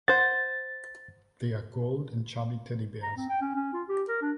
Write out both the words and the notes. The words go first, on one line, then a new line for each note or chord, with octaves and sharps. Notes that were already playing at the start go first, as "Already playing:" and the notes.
They are gold and chubby teddy bears.
C5 F#5 A6
A#5
C4
G5
C#4
C#4
F4
G4
A#4
D4